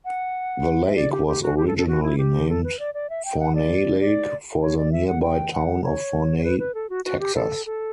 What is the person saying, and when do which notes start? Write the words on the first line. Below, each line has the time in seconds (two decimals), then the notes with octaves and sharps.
The lake was originally named Forney Lake for the nearby town of Forney, Texas.
0.05 F#5
0.85 E5
0.96 D5
1.12 G4
1.27 G4
1.42 F#4
1.57 G4
1.67 A4
1.78 A4
1.88 F#4
2.03 E4
2.18 G4
2.49 A4
2.64 B4
2.79 D5
2.94 D5
3.10 E5
3.25 G5
3.40 F#5
3.55 D5
4.01 D5
4.61 C#5
4.77 D5
4.92 E5
5.07 F#5
5.22 G5
5.53 F#5
5.84 C#5
6.38 C#5
6.44 B4
6.59 B4
6.75 A4
6.90 F#4
7.05 F#4
7.20 G4
7.35 A4
7.66 A4